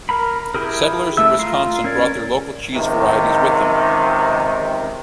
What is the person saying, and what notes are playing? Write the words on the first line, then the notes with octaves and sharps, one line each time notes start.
Settlers in Wisconsin brought their local cheese varieties with them.
A#4 A#5 B5
E4 G4 G#4 A#4
A3 E5 E6
F4 A#5 C6
C#4 A#4 C#5 D5
C#2 C3 D#3